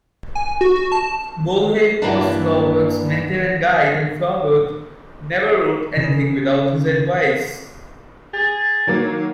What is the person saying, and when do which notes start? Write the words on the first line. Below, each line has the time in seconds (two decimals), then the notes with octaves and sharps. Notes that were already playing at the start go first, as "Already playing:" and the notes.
Bouilhet was Flaubert's mentor and guide, and Flaubert never wrote anything without his advice.
0.35 G#5
0.61 F#4
0.76 F#4
0.92 A5
2.02 G2 C#3 E3 A#3 B3 D4
5.96 C#3
8.33 G#4 A6
8.87 D#3 F#3 A#3 C#5